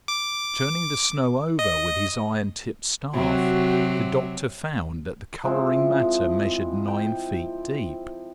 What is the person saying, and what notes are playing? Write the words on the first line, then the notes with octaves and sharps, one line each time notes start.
Turning the snow over with his iron-tipped staff, the Doctor found that the colouring matter measured nine feet deep.
D6
D#5
C3 F#3 F#4
F3 G#3 C4 E4
G5